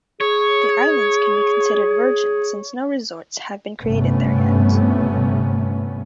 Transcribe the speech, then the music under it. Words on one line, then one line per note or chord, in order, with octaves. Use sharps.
The islands can be considered virgin since no resorts have been created there yet.
G#4 C#5
G1 G2 C3 A3 B3 C#4